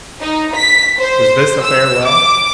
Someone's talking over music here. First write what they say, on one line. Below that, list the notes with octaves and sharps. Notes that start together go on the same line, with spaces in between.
Was this a farewell?
D#4
B6
C5
E6
D6